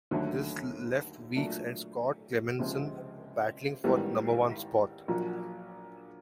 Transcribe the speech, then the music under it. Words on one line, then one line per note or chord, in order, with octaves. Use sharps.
This left Weekes and Scott Clemmensen battling for the number one spot.
D#2 D3 F#3 A3
A#2 F#3 A3 D4
C#2 C3 F3 G#3 C4
A1 G#2 D#3 G3 B3
A#1 A#2 F#3